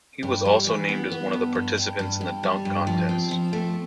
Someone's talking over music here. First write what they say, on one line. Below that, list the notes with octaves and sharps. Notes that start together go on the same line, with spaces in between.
He was also named as one of the participants in the dunk contest.
G2
G3
E3
B3
B3
G2
G2
G2
G2
G2
G3
G2
F3
C4
F3
A3